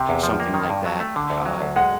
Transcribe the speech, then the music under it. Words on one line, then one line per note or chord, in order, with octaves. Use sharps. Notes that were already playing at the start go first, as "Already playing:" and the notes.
or something like that. Uh,
Already playing: C3 G5
E2
F3
A#3
D#3
G2
F#3
A3
D3
D2
F#3
D2
G#3 F#5